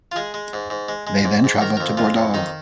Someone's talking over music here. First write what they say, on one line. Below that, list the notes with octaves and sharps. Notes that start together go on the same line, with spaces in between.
They then travelled to Bordeaux.
F4
G#3 G#4
G#3
G#2
G#2
G#3
G#3
G#2
G#2
D#3 A#4
F2 A#4
G#3 F4
F2
D#3 D#4